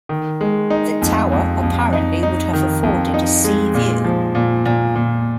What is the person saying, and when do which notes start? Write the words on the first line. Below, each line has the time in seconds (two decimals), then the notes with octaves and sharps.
The tower apparently would have afforded a sea view.
0.09 D#3
0.41 G#3
0.70 D#4
1.02 F2
1.32 F2
1.62 F2
1.93 D#4
2.23 D#4
2.53 D#3
2.83 F2
3.14 D#4
3.44 G#3
3.74 A#2
4.04 F3
4.35 A#2
4.65 A#2
4.95 A#2